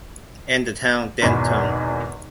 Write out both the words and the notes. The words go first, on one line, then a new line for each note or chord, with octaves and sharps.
And the town, Denton.
G#1 E2 B2 G#5 B5